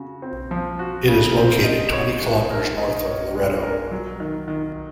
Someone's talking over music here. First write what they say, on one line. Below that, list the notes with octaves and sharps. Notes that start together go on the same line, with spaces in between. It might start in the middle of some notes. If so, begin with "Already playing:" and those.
It is located twenty kilometers north of Loreto.
Already playing: C#3 F#4
C4
F3
F#4
C#3
C4
D#4
C#5
G#3
A#4
D#4
C#5
G#3
A#4
F#3
D#3
D#3